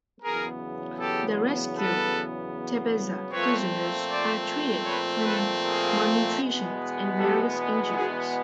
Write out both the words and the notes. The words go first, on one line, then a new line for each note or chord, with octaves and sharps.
The rescued Tebezza prisoners are treated for malnutrition and various injuries.
E2 C#3 F#3 B3 G#4 A#4
G4 A4
A4 B4
A#2 F3 A3 C4 B4 C#5
C5 D5
B4 C#5
A4 B4
G#4 A#4
E2 B2 G#3 B3
G4 A4
F#4 G#4